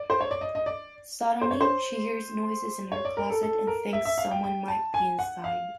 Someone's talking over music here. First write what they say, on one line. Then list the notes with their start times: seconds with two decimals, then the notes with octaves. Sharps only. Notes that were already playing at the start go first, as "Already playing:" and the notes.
Suddenly, she hears noises in her closet and thinks someone might be inside.
Already playing: D5
0.10 C5
0.20 C#5
0.31 D5
0.41 D#5
0.55 D#5
0.66 D5
1.42 C5
1.51 C#5
1.61 C5
2.92 C#5
3.05 D5
3.17 A#4
3.30 A4
3.43 A4
3.67 A#4
3.93 E5
4.05 E5
4.18 F5
4.31 G5
4.44 G5
4.68 A5
4.94 G#5
5.19 F#5
5.44 F5